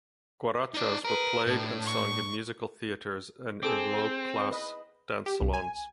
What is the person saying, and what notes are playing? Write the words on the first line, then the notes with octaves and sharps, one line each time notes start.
Guarachas were played and sung in musical theatres and in low-class dance salons.
D#4 D5
G#4 A#4 B4
A2 D4
C#6
C4 G#4 A4 D6
B4 D#5
G4
C2
G#5